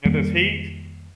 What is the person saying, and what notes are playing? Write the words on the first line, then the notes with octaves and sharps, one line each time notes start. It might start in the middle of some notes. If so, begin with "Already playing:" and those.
In this heat?
F2 D#3 G3 A#3